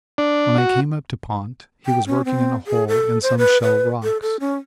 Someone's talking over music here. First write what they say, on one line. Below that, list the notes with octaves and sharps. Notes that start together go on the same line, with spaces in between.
When I came up to Pont he was working in a hole in some shell rocks.
D4
F#4
G5
C#4
C4
G#4
A4
C5
B4
B4
A4
A4
C#4